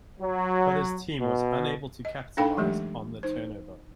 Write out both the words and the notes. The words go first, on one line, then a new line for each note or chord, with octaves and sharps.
But his team was unable to capitalize on the turnover.
F#3
B2
D#5
D4 D#4 A4 F5 G5 B5
E3 F#3 G#3 A3 G4
D#4 C5